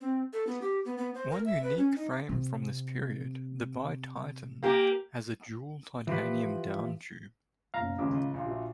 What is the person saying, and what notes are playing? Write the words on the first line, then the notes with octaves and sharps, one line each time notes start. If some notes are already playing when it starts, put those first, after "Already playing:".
One unique frame from this period, the Bititan, has a dual titanium down tube.
C4
A4
B3
G4
B3
B3
C5
A#4
E5
B4
C#4
D#4
C3
A#3 G4
E3 F3 G4 B4
F#1 B1 F5 A#5
A1 D#2 C#3 G#3 D6
C#2
A#1 F4
F#4 E5